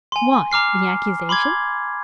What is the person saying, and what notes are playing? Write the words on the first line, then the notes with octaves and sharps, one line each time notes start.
"What? the accusation?"
G#5 C6
A#5 D6 F6 C7
B5 C6 D6 G#6